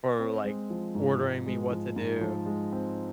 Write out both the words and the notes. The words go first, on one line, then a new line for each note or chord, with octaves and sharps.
or, like, ordering me what to do,
C4
G#3
F3
G#2
G#2
G#3
F3
G#2
F3
G#3
C4